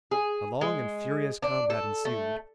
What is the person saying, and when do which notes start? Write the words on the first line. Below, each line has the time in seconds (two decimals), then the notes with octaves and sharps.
A long and furious combat ensued.
0.11 G#4
0.61 G#3
1.42 D4
1.70 A4
2.05 A3